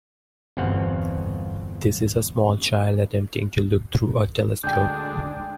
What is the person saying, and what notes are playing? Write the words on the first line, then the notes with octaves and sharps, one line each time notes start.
This is a small child attempting to look through a telescope.
G1 E2 B2 C4 F5 F#5
D2 G#3 D4 G5 G6